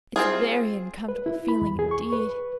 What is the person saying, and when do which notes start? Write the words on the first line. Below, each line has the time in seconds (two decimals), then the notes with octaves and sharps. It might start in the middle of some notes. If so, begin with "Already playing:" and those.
It's very uncomfortable feeling indeed.
0.16 C4 F4 G#4
1.08 B4
1.26 E4
1.48 B5
1.62 E2
1.79 G#4
1.91 C#6
2.13 B4